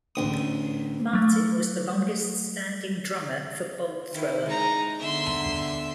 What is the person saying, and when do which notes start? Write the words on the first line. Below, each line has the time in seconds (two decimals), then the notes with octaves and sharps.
Martin was the longest standing drummer for Bolt Thrower.
0.15 A1 D2 D#6
1.13 F#3 A3
4.13 D#3 E4
4.46 G#3 D#4 A#5
5.00 D3 B3 E5 C6